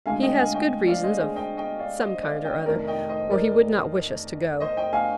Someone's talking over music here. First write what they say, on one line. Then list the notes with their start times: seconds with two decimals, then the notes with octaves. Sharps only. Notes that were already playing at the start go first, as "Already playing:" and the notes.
He has good reasons of some kind or other, or he would not wish us to go.
0.06 D2 D3 G#3 C4 F5 G#5
0.22 D#5 G5
0.38 F5 G#5
0.54 D#5 G5
0.87 D5 F5
1.03 C5 D#5
1.20 G#4 C5
1.36 D#5 G5
1.57 D#5 G5
1.79 D5 F5
2.00 C5 D#5
2.23 D5 F5
2.45 D#5 G5
2.66 F1 F2 C3 D#3 A#4 D5
2.87 D#5 G5
3.09 C5 D#5
3.31 A#4 D5
4.60 C5 D#5
4.77 D#5 G5
4.93 F5 G#5